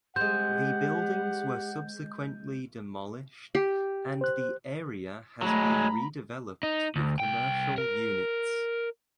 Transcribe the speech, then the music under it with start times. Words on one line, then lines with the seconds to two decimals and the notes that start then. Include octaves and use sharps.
The buildings were subsequently demolished and the area has been redeveloped with commercial units.
0.16 G#3 C4 G4 F#5 G6
3.55 G4
4.21 C5 F#6
5.42 F#3 G#3 A3 A#5 B5
6.63 D#4
6.96 D2
7.20 C2 G5
7.78 A#4